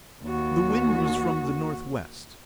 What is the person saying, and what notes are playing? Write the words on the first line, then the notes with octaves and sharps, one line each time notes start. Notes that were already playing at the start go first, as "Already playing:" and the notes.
The wind was from the north-west.
D#2 F#4